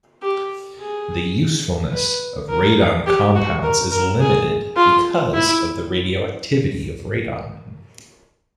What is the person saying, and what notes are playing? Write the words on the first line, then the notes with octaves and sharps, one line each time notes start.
The usefulness of radon compounds is limited because of the radioactivity of radon.
G4
G#4
B4
A#4
G4
F#4
A#4
A#4
G#4
F4
E4